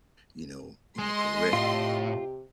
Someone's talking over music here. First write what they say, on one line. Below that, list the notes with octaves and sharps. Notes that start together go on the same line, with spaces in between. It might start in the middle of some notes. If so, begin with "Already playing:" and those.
you know you know, correct.
G#3 D#5 C6
A2 C3 F4 G4